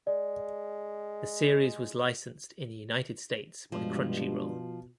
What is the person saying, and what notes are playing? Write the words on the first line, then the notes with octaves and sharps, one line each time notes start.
The series was licensed in the United States by Crunchyroll.
G#3 D5
G2 B2 F3 G#3